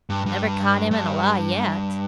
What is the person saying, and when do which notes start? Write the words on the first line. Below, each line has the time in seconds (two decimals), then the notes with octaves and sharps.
Never caught him in a lie yet.
0.10 G2
0.26 G2
0.91 G2